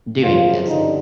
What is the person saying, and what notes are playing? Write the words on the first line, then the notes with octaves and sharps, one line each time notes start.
doing this.
F#2 C#3 F3 F4
G2 D3 D#4